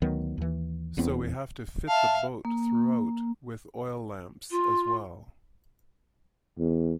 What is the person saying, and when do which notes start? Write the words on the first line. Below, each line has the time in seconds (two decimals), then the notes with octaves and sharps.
So we have to fit the boat throughout with oil lamps as well.
0.02 D2 D#3 F#3 B3
0.38 D#2 E3
0.97 D#1 E2 B3 C4
1.88 E5 F5 A5
2.45 A#3
4.50 F4
6.58 E2